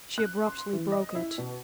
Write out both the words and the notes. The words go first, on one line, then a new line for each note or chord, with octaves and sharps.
She abruptly broke it.
F#6
C6
E3
D#5
E4
B2